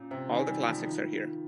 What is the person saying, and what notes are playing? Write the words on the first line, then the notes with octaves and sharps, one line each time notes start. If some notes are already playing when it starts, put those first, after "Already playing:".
All the classics are here.
Already playing: A#2 C#4
C3 C5
D#3
G#5
G3
F4
F3
D#3 F4